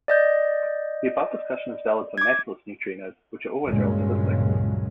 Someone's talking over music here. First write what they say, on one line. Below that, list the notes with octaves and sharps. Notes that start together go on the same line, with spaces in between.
The above discussion is valid for massless neutrinos, which are always relativistic.
D5 D#5 G6
D6 G#6
C#2 G2 A#2 C#3 F#3 G#3